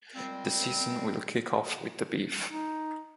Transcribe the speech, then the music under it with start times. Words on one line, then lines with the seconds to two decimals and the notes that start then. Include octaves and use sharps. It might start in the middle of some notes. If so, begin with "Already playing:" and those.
The season will kick off with the Beef.
0.15 A#2 G3 G#3 C4
2.46 D#4